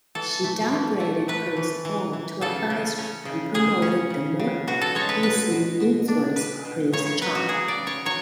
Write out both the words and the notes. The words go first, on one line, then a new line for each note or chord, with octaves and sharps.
She downgraded Prince Gong to "advisor" and promoted the more easily influenced Prince Chun.
E3 A4
A3
E3
A3
A3 B4
E3
E3
E3
C#3 A4
C#3
C#4
C#3
C#3 G#4
C#4
C#3
C#3
B2 F#4
A4
G#3 C#5
B4
B2 B4
B2
B2
D4
B2 B4
B2
C#3 C#5
C#5
F#3 B4
F#4
C#3 G#4
D5
C#3
C#5
F#3 C#5